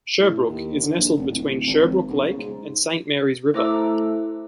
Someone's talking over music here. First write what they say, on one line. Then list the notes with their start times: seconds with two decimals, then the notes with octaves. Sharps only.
Sherbrooke is nestled between Sherbrooke Lake and Saint Mary's River.
0.19 A2
0.48 D#2
0.83 D3
0.96 A#1
1.16 F1
1.28 D1
1.67 G#1
2.09 B1
2.24 C#3
2.38 G#2
3.54 A3 E4 C5 A#5 D6 E6